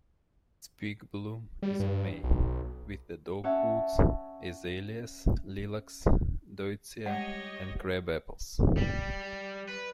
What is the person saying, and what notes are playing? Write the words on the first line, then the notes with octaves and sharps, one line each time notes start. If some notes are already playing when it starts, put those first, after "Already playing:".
Its peak bloom is in May, with the dogwoods, azaleas, lilacs, deutzia and crabapples.
G3
G2
B1
C#4 C#5 E5 F#5 A5
G3 G#3 G4 C#5 D#5 F#5
G3
B4